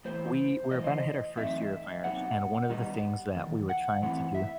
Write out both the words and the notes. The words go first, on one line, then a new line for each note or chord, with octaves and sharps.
we we're about to hit our first year of marriage, and one of the things that we were trying to do
A2 E3 B3 E4 C5
F#2 E3 A3 E4 D#5
C5
D#5
F#2 E3 A3 C4 D#4 E5
C3 F#3 B3 D#4 F#5
D#3 G3 B3 D#4
E2 D#3
F#5
A2 E3 A3 C4 E4 F#5
E5